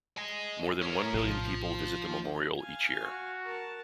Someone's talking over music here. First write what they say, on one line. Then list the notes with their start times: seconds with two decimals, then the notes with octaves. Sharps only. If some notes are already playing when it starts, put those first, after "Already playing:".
More than one million people visit the memorial each year.
0.17 D#5 G#5
0.82 C#4 A#4
1.14 A#1 A2 C3 F3
2.59 F5 G#5
3.03 F#4
3.44 A#4 A5